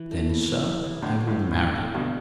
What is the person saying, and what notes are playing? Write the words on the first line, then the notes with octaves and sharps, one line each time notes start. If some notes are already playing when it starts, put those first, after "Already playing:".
"Then, sir, I will marry you."
Already playing: E3
A3
E3
E3
G4
E3
A2 D3 D4
D3
A2
D3
A2
D3
A2 D3
G2 B2 D3